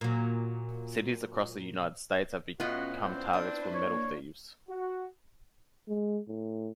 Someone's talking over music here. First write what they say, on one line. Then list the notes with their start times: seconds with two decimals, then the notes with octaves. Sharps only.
Cities across the United States have become targets for metal thieves.
0.01 A#2 F#3
2.60 A2 B3 C#4 F4 F#4 D#5
3.01 C4 C5 D5
3.33 D4 E4 B4 C5
3.74 A#3 C#5
4.68 F#4
5.88 G#3
6.28 A2